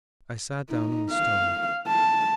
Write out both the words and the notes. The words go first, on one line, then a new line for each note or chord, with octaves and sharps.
I sat down on the stone.
D#4
F5
A5